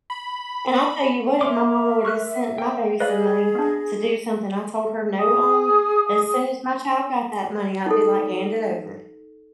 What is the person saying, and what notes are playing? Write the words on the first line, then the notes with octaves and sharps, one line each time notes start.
And I tell you what, if my mama would've sent my baby some money to do something I told her, "No," on, as soon as my child got that money, I'd be like, hand it over.
B5
A#4 E5 C6 D6
C#6 F6 F#6
G5
G#4 B4 D5 D#5 F5 B5
B3 D4
G#4 D#6
D#4 A4